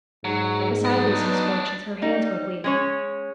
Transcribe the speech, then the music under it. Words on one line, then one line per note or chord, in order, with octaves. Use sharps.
Beside these misfortunes her hands were bleeding.
G#2 F#3
F#3 B3 D4 D#4 D#5
G3 D#4
G#3 C#4 C#5